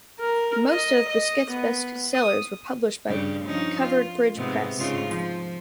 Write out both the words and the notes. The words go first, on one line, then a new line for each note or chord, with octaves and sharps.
Most of Bosquet's best sellers were published by Covered Bridge Press.
A#4
D#5
D#5
B3
D#6
G2 C#3 G3
F3 C#4 D#4
F4
G#2 C3 B3
G#2 C#3 F4
F3